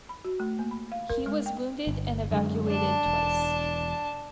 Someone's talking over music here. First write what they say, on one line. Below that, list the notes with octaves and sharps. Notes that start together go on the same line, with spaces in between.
He was wounded and evacuated twice.
B5
F#4
A3
A#3
B5
F5
A#4
G#3
G5
G1
F#2 D3 G#3
D4 A5
E1